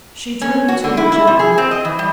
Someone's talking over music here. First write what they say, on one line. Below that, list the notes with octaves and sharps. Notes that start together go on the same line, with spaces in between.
She drew me to her gently.
C#4
F#4
D3
E4
E4
C3
G#4
C4
D#5
E3
G3